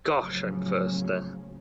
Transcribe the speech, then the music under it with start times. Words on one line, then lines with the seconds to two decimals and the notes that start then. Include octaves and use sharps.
Gosh, I'm thirsty.
0.17 A2 C#3 F3 F#3 A#3 C#4